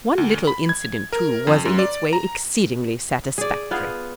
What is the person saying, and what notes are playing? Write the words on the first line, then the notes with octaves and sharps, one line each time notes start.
One little incident, too, was in its way exceedingly satisfactory.
D2
B5
G#6
A#4
F2
F#2
D5
A#5
G#4 D5
B3 F4 G#4